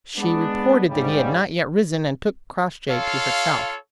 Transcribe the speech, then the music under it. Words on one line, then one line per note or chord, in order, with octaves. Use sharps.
She reported that he had not yet risen, and took Crossjay to herself.
G#3 B3 D4
G#2 C#3 G3
F4 A4 C#5 F5